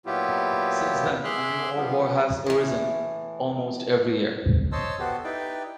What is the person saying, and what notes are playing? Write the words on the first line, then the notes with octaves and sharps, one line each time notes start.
Since then, a new ouvroir has arisen almost every year.
A#2 F#3 B3 E4 F4 G4
G#4 E5 C6 D6 F6 F#6
F3 G3 B3
A2 E3
C5 C#5 D#5 A5 C6 E6
B3 F#4 G4 A4 C5
D#4 E4 G4 B4 D5 G5